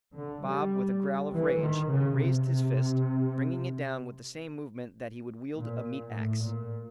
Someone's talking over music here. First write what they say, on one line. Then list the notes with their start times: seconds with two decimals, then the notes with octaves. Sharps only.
Bob, with a growl of rage, raised his fist, bringing it down with the same movement that he would wield a meat axe.
0.17 D3
0.46 G3
1.31 E3
1.59 D#3
1.87 C#3
2.16 C3
5.57 A#2
6.14 A2
6.42 A#2